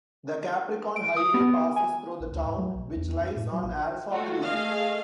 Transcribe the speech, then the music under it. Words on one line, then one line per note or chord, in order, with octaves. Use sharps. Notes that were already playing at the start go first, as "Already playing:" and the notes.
The Capricorn Highway passes through the town, which lies on Alpha Creek.
D7
D#6
B3
G#5
A#1
D2
G#2
F#3
B1
E2
F#2
A2
F#3
A#1
A3 F4 F#4
A3 G#4 D#5 F5